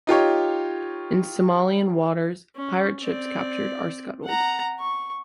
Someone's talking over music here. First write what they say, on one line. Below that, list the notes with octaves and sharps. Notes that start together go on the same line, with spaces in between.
In Somalian waters, pirate ships captured are scuttled.
D#4 F4 G4 C#5
C#4
C4 D5
F#5 A#5
C#6